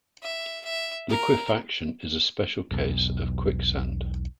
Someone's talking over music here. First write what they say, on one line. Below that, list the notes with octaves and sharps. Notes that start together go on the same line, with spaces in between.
Liquefaction is a special case of quicksand.
E5
E5
A#4
B1 E2